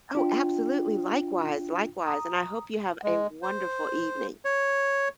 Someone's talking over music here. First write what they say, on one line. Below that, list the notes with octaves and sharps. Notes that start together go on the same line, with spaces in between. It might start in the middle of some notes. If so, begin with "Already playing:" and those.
Oh, absolutely, likewise, likewise, and I hope you have a wonderful evening.
D4 F4 G5
A#5 D#6
G#3
C5
C#5